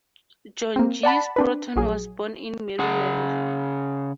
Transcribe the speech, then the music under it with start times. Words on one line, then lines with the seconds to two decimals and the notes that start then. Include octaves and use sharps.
John G. Sproston was born in Maryland.
0.76 A#3 C4
1.03 D5 F#5 A5 B5
1.36 C4 D4 B4
1.76 A#1 F#3 G#4
2.79 C#3 G#4 F#5